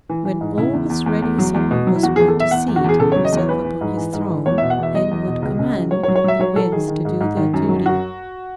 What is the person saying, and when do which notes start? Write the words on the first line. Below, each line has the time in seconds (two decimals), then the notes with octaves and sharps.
When all was ready Solomon was wont to seat himself upon his throne, and would command the winds to do their duty.
0.09 E3
0.25 E3
0.41 G#2
0.58 C#3 E4
0.73 E2
0.89 E2
1.06 E2
1.22 E2
1.38 F#3
1.54 E2
1.71 B2
1.87 F#3
1.96 E4
2.03 E2 F#4
2.16 E2 G#4
2.28 A4
2.35 E2 E5
2.51 E2 F#5
2.68 E2
2.76 F#4
2.84 E2 G#4
3.00 C#3 A4
3.12 F#3 C#5
3.25 D#5
3.32 E2
3.37 C#5
3.49 E3 B4
3.64 E3
3.81 G#2
3.97 E3
4.13 G#2
4.30 E3
4.46 E2 C#5
4.58 B2 E5
4.70 F#5
4.78 E2 E5
4.95 E2 D#5
5.11 E2
5.27 B2
5.42 C#2
5.59 C#3
5.75 F#3
5.91 F#3 C#5
6.03 C#5
6.08 F#3
6.16 C#5
6.24 F#3 E5
6.39 F#3 C#5
6.56 F#3 A4
6.72 D#3 G#4
6.88 D#3
7.05 G#2
7.21 G#2
7.36 D#3
7.54 F#2
7.69 F#3
7.86 F#2 F#4